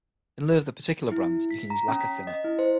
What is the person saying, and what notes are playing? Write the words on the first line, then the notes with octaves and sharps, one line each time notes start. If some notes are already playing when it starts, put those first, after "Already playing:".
In lieu of their particular brand, you can use lacquer thinner.
E4
B6
A#5
C#4
B6
D#5
E4
C5